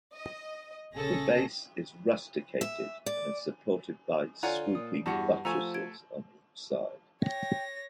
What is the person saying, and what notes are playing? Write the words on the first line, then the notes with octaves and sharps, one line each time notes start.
The base is rusticated and is supported by "swooping buttresses" on each side.
D#5
A#1 C#3 C#4 G#4 A4 A#6
E5
D5
D3 F4 C#5 D5 F#5 G#5 A#5
A#2 D#6
E2 G2 F#4 G4 F#5 A5
F3 A3 A4 G#5 A#5 C#6
G#6 D7
C#5 G5 A#6